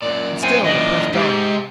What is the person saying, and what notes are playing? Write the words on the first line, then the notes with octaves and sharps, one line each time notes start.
And still they pressed on.
F#2 A#2 D5
C4 F#5 G#5
E3 D4 D#5
G#2 C3 G4